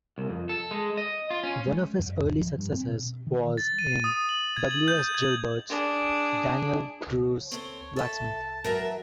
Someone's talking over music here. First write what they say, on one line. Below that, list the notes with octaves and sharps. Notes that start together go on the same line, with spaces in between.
One of his early successes was in W. S. Gilbert's "Dan'l Druce, Blacksmith".
C2
F2
A4
G#3
D#5
F4
C#4
G#3
F#2
D1
F3
G2
C4
B2
D#3
A6
D#7
D#6
F#7
G#6
F#7
G6
G#6
D4 G#4
C#2
C4 A4 C5 C#5
A4 E5 A5
C2
E3 F#3 A#4 E5